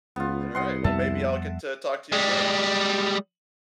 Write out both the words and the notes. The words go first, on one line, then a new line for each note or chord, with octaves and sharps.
Alright, well, maybe I'll get to talk to you again.
C#2 B3 F4
C2 D#5 F#5 C6
F2 G3 B3 E5 A5
G3 G#3